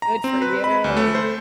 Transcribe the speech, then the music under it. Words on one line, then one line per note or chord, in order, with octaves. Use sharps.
Good for you.
A#5
C4
B4
B5
D2
A3
C5